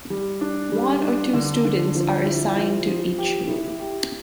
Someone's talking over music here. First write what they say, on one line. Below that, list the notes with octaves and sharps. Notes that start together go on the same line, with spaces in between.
One or two students are assigned to each room.
G3
D4
G3
D4
D3
D3
F3
E4
F3
F3
G4
E4
G4